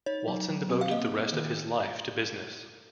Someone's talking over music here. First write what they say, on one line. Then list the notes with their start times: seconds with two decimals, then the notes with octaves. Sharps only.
Watson devoted the rest of his life to business.
0.06 D#4 C#5
0.28 F#3
0.48 F#3
0.69 C4
0.81 F5
0.91 A#3 D#5
1.12 A#3
1.33 D#3